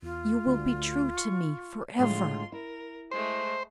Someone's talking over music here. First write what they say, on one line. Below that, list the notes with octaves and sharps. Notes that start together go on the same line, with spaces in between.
"You will be true to me forever."
E2 F4
D2
C#6
A2 D3 G#3 F4 C6
E4 A#4
G#3 A3 C5